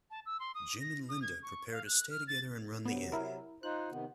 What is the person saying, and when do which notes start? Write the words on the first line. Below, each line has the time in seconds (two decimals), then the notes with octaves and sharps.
Jim and Linda prepare to stay together and run the inn.
0.11 A5
0.26 E6
0.40 C6
0.55 D#6
0.80 A#6
1.09 D#6
1.22 G#6
1.43 C#6
1.72 F5
1.86 F#6
2.10 F6
2.27 A6
2.85 C3 F#3 B3
3.12 E4 A#4
3.63 D#4 F4 C5 F#6
3.91 C3 D#3 B3